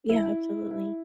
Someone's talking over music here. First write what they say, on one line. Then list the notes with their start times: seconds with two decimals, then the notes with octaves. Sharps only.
Yeah, absolutely.
0.09 E4
0.71 E4